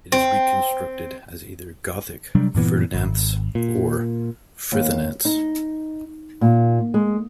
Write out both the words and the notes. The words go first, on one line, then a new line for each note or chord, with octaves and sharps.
It is reconstructed as either Gothic "Ferdinanths" or "Frithunanths".
C4
C3 F#3 G3 D4
G2 A#2 E3 B3
G#1
A#2
D#2
D#4
A#2
G#3